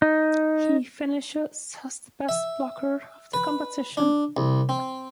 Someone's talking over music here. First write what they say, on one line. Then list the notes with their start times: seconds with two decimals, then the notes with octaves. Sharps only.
He finishes as the best blocker of the competition.
0.02 D#4
2.29 E5
3.34 B4
3.97 D4
4.37 C2
4.69 C4